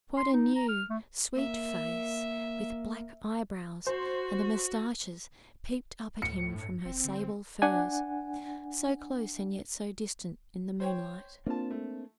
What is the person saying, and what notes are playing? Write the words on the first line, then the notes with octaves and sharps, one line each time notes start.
Quite a new, sweet face with black eyebrows and mustaches peeped up at him from her sable furs--so close and yet so distant--in the moonlight.
C6
D#4
A#5
F6
A3
A#3 E5
F#4 C5
D2 A2 C#7
G2
E1 C4
D3
D4 F#5 G#5
C5 C#5 G5
A#3 C4 D4 F4 A5
A3